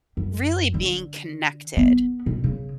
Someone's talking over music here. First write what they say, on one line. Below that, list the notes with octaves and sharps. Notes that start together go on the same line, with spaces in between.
really being connected,
F#2
D3
B3
B2
C#3